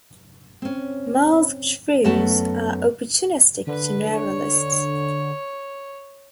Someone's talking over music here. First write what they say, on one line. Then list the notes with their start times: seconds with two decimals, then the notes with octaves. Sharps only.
Masked shrews are opportunistic generalists.
0.62 C4 C#4
2.04 F#2 A3 B3 A5
3.67 D3 B4
4.16 C#5